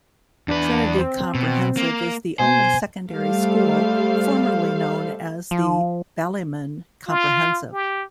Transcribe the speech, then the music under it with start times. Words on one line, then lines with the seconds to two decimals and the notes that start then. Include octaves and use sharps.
Trinity Comprehensive is the only secondary school formerly known as the Ballymun Comprehensive.
0.48 E2 D4 B4
0.98 C4
1.35 B2
1.77 A#3
2.39 B2 C5 G#5
3.14 G3 A3 A4 C5 F5
5.51 F3
7.08 F4
7.73 G4